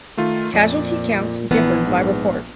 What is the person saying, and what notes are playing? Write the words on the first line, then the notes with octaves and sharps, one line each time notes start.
Casualty counts differed by report.
D#3 A3 F4
F2 A#2 D5
A#1 E3 B3
G#2